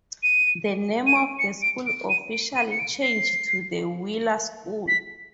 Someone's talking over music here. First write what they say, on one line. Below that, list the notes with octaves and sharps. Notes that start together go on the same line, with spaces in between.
The name of the school officially changed to The Wheeler School.
D#7
D#7
D7
C#7
D7
D7
D#7
D7
D#7
C#7
D7
C7
B6